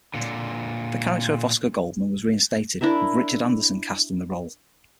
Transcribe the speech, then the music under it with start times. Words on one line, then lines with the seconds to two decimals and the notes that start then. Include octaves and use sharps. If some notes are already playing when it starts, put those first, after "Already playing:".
The character of Oscar Goldman was reinstated, with Richard Anderson cast in the role.
0.14 A#2 D3
2.81 D4 E4 A#4 E5